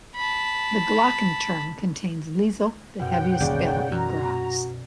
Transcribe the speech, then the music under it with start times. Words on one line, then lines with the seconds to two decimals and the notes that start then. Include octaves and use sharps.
The "Glockenturm" contains "Liesl", the heaviest bell in Graz.
0.16 A5 B5
3.00 F#2 B2 F#5 G5
3.40 G1 D#2 C#3 D5
3.91 F#2 F#4 A#5